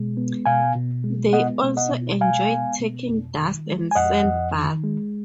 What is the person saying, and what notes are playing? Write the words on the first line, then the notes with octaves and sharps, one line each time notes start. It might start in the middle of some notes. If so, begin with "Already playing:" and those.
They also enjoy taking dust and sand baths.
Already playing: B2 G#3
B3
B2 F5 G#5
B2
G#3
B3 D#5 F#5
B2
D#5 F#5
B2
G#3 F5 G#5
B3
B2
F2
D#3
G#3
G#5
F2 D#5 F#5
F2
D#3
G#3